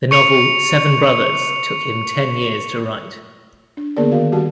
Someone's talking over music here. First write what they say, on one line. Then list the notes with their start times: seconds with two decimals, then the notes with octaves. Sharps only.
The novel "Seven Brothers" took him ten years to write.
0.11 C#6 C#7 F7
3.77 D4
3.97 D3 A#3 B3 G#4 A#4 D5
4.12 D#3 F#4 A#4 F5
4.32 D#3 G3 F#4 G4 A5